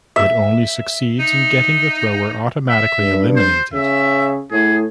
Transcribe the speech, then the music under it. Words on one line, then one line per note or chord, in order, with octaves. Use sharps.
It only succeeds in getting the thrower automatically eliminated.
E5
D#4
E5
G2
C5
C#3 E5
A2 G#4